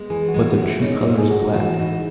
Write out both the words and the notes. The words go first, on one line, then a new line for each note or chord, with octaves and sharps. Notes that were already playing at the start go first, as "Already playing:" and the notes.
But their true color is black.
Already playing: G#3 B3
E3 G#4
F#4
G#3
F#4
G#3
E4
C#4 D#4
G#2
G#4
D#4 F#4
E3 F#4
E4
D#4 F#4